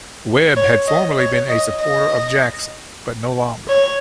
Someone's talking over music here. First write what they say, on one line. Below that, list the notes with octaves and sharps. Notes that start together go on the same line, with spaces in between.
Webb had formerly been a supporter of Jackson, but no longer.
C#5
D#5
C#5
D#5
D#5
C#5